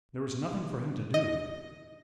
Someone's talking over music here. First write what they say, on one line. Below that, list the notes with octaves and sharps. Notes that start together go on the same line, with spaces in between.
There was nothing for him to do.
D#5